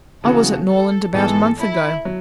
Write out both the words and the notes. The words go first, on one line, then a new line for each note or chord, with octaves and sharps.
"I was at Norland about a month ago."
C#3 E3 B3 F#4 A4
A4
G#2 E3 G#3 B3 A4
E4
F#3